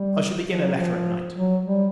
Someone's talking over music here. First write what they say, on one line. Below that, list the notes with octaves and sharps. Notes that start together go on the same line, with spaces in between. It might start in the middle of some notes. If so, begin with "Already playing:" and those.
I shall begin a letter at night.
Already playing: G3
F3
F#3
F3
F#3
G3